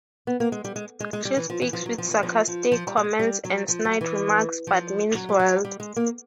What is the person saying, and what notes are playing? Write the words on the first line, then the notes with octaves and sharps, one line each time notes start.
She speaks with sarcastic comments and snide remarks, but means well.
B3
A#3
G#3
G3
G#3
G#3
G#3
G3
E3
F3
E3
F3
F#3
F3
E3
F3
F3
F3
G3
G3
G#3
G3
F#3
F3
F#3
E3
F3
F#3
G3
F#3
G3
G#3
A#3